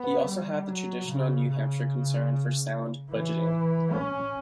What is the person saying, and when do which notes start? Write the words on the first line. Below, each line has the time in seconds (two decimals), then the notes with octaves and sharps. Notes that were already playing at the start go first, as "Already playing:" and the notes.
He also had the traditional New Hampshire concern for sound budgeting.
Already playing: B3
0.26 G3
0.67 F#3
1.07 C#3
1.48 C#3
3.10 E3
3.92 C#4